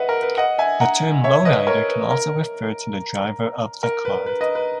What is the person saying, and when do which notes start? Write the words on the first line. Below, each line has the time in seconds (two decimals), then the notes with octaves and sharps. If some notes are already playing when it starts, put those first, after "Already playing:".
The term "lowrider" can also refer to the driver of the car.
Already playing: B4 D#5 E5 F#5
0.09 A#4
0.22 B4
0.38 D#5 F#5
0.58 E5 G#5
0.80 F#5 A#5
1.24 C#5 E5
1.45 B4 D#5
1.67 A#4 C#5
1.89 B4
2.11 A#4
3.83 A#4
4.05 B4
4.26 B4
4.41 B4 D#5
4.55 B4